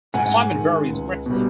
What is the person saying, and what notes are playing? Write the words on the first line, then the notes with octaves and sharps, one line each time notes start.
The climate varies greatly.
G#2 F#5 G#5
D#3 G#3
C#2
B2 G3